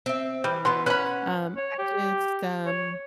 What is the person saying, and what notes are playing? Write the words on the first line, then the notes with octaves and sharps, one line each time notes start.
Um, I just, um
C4 E5
E3 G3
B2 E3 B3 C6
C#4 B4 F#5 B5
C#5
G4
C#5